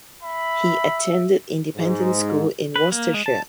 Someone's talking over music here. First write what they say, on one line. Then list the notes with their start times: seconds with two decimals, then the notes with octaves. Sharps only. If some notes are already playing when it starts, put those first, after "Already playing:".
He attended independent school in Worcestershire.
0.23 E5 B5
1.76 G#2
2.76 B4
2.92 A#3
3.14 G#3
3.26 A5